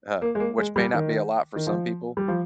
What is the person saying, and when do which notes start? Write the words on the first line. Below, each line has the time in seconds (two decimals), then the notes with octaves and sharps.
uh, which may not be a lot for some people.
0.22 A#3
0.35 G#3
0.40 A#3
0.58 G#3
0.76 G3
0.94 D#3
1.56 D#3
1.67 F3
2.17 G3
2.28 F3